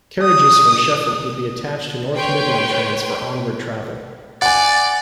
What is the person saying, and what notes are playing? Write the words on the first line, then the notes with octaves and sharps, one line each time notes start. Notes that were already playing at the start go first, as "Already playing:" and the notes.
Carriages from Sheffield would be attached to North Midland trains for onward travel.
D#6
B4 C#5 G5 C6
D5 F#5 G#5